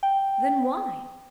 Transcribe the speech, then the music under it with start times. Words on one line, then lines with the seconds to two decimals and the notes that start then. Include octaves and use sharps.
Then, why?
0.03 G5